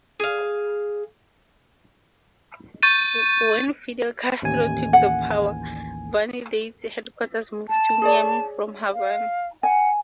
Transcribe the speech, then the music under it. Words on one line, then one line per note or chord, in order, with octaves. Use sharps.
When Fidel Castro took the power, "Vanidades"' headquarters moved to Miami from Havana.
G#4 F5
C#6 G6 A6 D#7
A1 D#2 G#5
F#5
A5
G#4 C#5 D5
F5
F#5 G#5